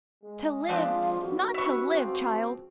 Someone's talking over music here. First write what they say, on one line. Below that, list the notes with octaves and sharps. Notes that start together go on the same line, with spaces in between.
"To live--not to live, child!"
G#3
F3 C4 D4 G4
B1 A2 F#4
G2 C4 B4 E5 C#6
C#2 F3 C4